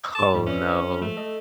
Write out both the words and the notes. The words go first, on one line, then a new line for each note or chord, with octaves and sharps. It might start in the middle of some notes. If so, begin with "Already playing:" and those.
Oh, no.
A5
D#2 G#2 G3
C#4 B4 D5 E5
F3 G#3 A3
A4 D#5